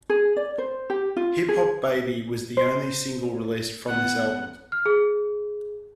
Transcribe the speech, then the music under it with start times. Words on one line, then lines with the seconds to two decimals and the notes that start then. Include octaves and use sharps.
"Hip Hop Baby" was the only single released from this album.
0.10 G#4
0.37 D5
0.58 C5
0.90 G4
1.17 F4
1.49 G#4
2.57 C5
3.88 B3 F#5
4.72 F6
4.86 G#4